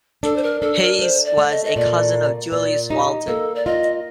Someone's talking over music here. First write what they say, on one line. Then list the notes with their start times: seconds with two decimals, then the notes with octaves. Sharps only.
His was a cousin of Julius Walter.
0.23 D4 A4
0.36 C5
0.43 A#4
0.61 D4 A4
0.81 A#4
0.99 A3 C5
1.24 D5
1.38 A3
1.51 D#5
1.64 D#5
1.76 A#2 D5
2.13 A#3
2.52 A#2 D5
2.90 D#4 G4
3.28 A#3 A4
3.55 D5
3.65 F4 D#5